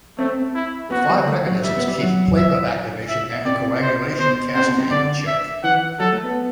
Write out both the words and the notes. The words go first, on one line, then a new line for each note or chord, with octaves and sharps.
Five mechanisms keep platelet activation and the coagulation cascade in check.
A3 C4
E4
B3 F#4
G3
A3
F#3
G3 E5
B3
G3
F#3
E5
E5
C3 D5
C5
B2 C5
C3 C5
B2
C3
D3 D5
E5
E3 F#5
F#3 A4
A3
B3